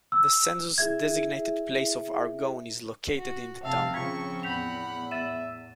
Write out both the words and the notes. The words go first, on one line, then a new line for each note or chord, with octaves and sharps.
The census-designated place of Argonne is located in the town.
E6
E4 G#4 E5 G#6
F#4
F1 C4 E5 F5 A5 E6
C#3 F3 A#5 C#6 G#6 B6
E2 A2 F#5 B5 G6 B6 F7
E5 A6 D#7 E7